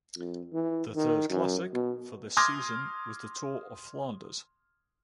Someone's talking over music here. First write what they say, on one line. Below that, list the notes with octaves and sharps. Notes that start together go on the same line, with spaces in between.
The third classic for this season was the Tour of Flanders.
F2
E3
D#3
F#2
B2
C6 D6 D#6 F6 G#6 A#6